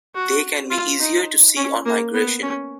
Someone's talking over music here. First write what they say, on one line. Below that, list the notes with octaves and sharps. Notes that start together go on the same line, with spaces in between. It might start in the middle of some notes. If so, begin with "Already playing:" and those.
They can be easier to see on migration.
F#4
F4
D#4
C#4
A#3
B3
C#4